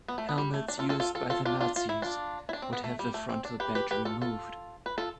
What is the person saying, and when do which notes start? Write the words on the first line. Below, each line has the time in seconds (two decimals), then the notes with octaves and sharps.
Helmets used by the Nazis would have the frontal badge removed.
0.08 B3
0.18 A3
0.29 B3
0.38 G3
0.54 A3
0.68 D4
0.79 F4 A4
0.89 F4 A4
1.00 F4 A4
1.15 F4 A4
1.30 F4 A4
1.45 D4 F4
1.60 D4 F4
1.76 F4
1.89 E4
2.02 D4 F4
2.49 E4
2.53 D4
2.62 C4
2.73 B3
2.84 A3
2.99 G3
3.14 A3
3.29 C4
3.45 D4
3.60 G4 B4
3.75 G4 B4
3.91 G4 B4
4.05 F4 A4
4.22 F4 A4
4.86 B4
4.98 F4 A4